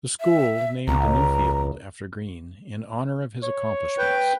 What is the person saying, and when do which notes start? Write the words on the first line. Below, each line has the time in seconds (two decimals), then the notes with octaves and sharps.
The school named the new field after Green in honor of his accomplishments.
0.20 E5
0.88 C#2 A#5
3.43 C#5
3.98 B4 G5